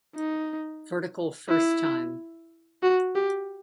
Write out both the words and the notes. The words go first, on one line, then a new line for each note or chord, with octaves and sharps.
Vertical first time.
D#4
E4
F#4
G4